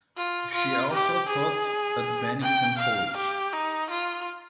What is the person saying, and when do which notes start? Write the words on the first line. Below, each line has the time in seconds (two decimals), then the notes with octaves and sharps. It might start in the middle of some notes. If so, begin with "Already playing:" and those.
She also taught at Bennington College.
0.17 F4
0.54 F4
0.92 G4
1.29 G#4
2.42 G5
2.79 F5
3.17 G4
3.53 D#4
3.90 F4